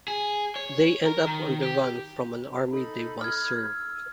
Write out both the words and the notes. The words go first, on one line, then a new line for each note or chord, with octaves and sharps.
They end up on the run from an army they once served.
G#4
C#5
A#4
D#3
G4
D#4 A4 B5
F6 G#6
E6